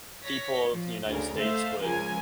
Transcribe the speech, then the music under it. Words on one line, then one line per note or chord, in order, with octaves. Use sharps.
people of the United States would
C#5 A#6 B6
F3
D2 C#3 A#4
A3 C5 E5 F5
C#2 F3 A#4 G#5